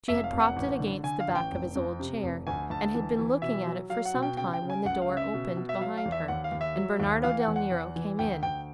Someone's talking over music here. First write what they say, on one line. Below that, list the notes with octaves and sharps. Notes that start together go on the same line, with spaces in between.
She had propped it against the back of his old chair, and had been looking at it for some time, when the door opened behind her, and Bernardo del Nero came in.
F1 E5
F5
F1
F#5
A1
D3
D3 G#5
F5
A1
G5
F1
F2
C3
F1
D2 G#5
D2 A5
E3
E3
B2 E5
F#3
F#3 F5
F#5
B2
G5
C#3 G5
G5
C#3
G#5
C#2 F#5
F5
C#3
E5
B2
B2
E5
F#3 F5
F5
E2
E5
D#2 F#5
F5
D#2
E5
F#3
D#2
E3 F5
F#5
E2
F#5
E2
E3
D2 G5
D2 G5